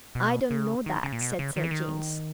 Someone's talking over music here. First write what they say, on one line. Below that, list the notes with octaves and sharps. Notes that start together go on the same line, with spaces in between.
"I don't know that," said Sir James.
B2
C#3
D#3
C#3
A#2
B2
C#3
D#3
E3
D#3